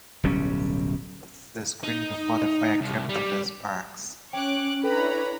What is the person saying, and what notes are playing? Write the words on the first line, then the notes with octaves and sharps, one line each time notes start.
The screen before the fire kept in the sparks.
D1 B1 G3 C#4
D#4
C2
G3
C#4 C#5 G5 D6 F#6
D4 E4 A4 B4 C#5 G5 A#5 B5